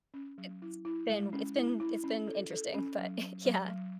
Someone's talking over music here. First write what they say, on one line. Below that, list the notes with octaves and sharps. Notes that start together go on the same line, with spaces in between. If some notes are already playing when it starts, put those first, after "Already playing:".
It's been it's been it's been interesting but yeah.
C#4
F#3
E4
E4
G#3
C#4
E4
E4
C#4
A4
A4
C#4
F#3
F#3
F#3
F#3